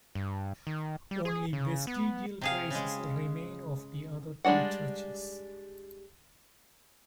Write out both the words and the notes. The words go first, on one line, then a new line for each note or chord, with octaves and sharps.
Only vestigial traces remain of the other two churches.
G2
D#3
G3
G#4
C#3
B3
C3 G#4 F5
C#3 G#3
G3 G#3 D4 F#4 F#5